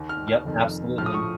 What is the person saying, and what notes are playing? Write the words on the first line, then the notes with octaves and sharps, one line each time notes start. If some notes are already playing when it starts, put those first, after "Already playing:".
Yup, absolutely.
Already playing: D#2 D#3
F6
F6
F1 F2 D#3
A#1 A2 F3 F6
D#6
C#6